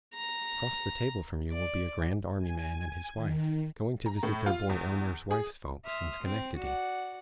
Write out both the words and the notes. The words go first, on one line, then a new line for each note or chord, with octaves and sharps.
Across the table from you will be a Grand Army man and his wife, going to visit their boy Elmer's wife's folks in Schenectady.
A#5
D5
G#5
D#3
A#5
A2
F4
E2
G#4
E5 C6 D#6 F6
C4
F#4 D5 F#5